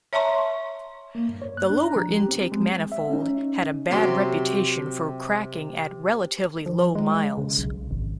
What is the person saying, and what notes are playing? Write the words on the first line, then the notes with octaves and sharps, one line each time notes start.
The lower-intake manifold had a bad reputation for cracking at relatively low miles.
C#5 E5 A5 A#5 C6 C#6
A#3
G2
C#5
F#6
D4
A#5
F3
G4
C4
G#3
E5
C#4 D#4
C3 F#3 G4 C6
F3
G#3
C#3
B1
G#1